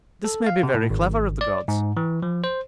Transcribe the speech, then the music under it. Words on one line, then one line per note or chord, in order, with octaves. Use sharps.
This may be very clever of the gods.
A4
F5
C3
A2
G#1
D5
G#2
E3
F3
C5